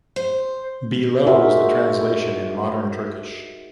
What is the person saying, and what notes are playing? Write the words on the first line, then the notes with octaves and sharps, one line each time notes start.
Below is the translation in modern Turkish.
C5
D#4 F#4 G#4 A#4 C5 E5